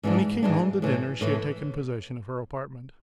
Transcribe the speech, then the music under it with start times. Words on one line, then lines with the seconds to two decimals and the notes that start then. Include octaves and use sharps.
When he came home to dinner she had taken possession of her apartment.
0.03 G#2 E3 G#3 D4
0.43 G#2 E3 G#3 D4
0.82 A2 E3 A3
1.21 A2 E3 A3